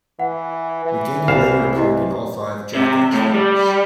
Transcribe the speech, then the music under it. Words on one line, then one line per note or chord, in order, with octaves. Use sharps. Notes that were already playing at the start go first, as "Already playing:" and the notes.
McGhehey later appeared in all five "Jackass" films.
E3 F#5
E3
C2 F5 C7 E7
E4 G4 D#5
C3
A2
G3